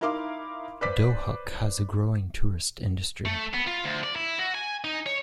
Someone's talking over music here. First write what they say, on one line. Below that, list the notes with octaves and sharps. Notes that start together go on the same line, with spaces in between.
Dohuk has a growing tourist industry.
D#4 E4 A#4 F5 C6 D6
B4 C5 D5 D6 B6
A3
B3
F4
D2
D5
E4
F#4
G#5
D#4
C#5